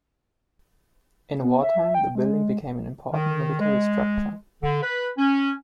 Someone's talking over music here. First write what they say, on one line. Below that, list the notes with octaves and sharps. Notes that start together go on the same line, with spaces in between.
In wartime, the building became an important military structure.
B3
E5
G5
G#3
D#3
G#3
D3
B4
C#4